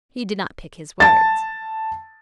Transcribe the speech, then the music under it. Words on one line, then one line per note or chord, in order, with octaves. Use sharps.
He did not pick his words.
A5 A6